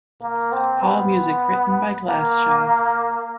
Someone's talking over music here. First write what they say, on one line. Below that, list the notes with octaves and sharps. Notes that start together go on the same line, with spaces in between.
All music written by Glassjaw.
A#3
C4
B3
A#3